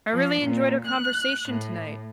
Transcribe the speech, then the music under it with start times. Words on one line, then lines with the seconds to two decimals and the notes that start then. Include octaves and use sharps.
I really enjoyed our conversation tonight.
0.12 F3
0.42 A#2
0.87 F#6
1.50 A2